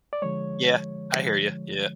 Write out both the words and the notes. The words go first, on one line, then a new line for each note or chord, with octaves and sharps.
Yeah, I hear you, yeah.
D5
D3 F3 G#3 C#5
D3 F3 G#3